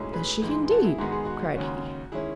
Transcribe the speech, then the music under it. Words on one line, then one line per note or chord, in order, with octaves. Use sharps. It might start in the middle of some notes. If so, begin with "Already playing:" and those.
"Does she indeed?" cried he.
Already playing: B1 A2 G#3 C#4
G#4 B4
A1 G#2 E3 G#3
F#4 A4
E4 G#4
G#2 D#3 G#3 B3 F#4
G#4
F#4
D#2 C#3 G#3 C#4 F#4
D#3 G#3 C#4 E4 G#4